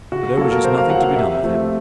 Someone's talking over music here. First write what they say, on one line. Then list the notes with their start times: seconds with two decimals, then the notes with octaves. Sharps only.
But there was just nothing to be done with him.
0.12 C#3 F#4
0.37 F#3 A#3 A4
0.51 A#4
0.64 C#3 C5
0.78 F5
0.90 F#3 A#3 F#5
1.03 F5
1.16 C3 E5
1.43 F3 A3 C4